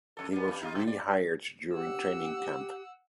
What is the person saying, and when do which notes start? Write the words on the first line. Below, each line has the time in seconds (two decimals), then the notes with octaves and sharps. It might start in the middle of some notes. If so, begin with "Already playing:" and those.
He was re-hired during training camp.
0.17 F2 A4
0.33 G3 B3
0.48 E2 G2
0.62 D#4 F4
0.75 B2
0.87 D5
1.73 G4 F#5 E6